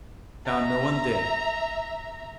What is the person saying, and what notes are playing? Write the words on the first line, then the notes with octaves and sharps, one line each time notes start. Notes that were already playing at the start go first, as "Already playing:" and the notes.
I found no one there.
E5 A#5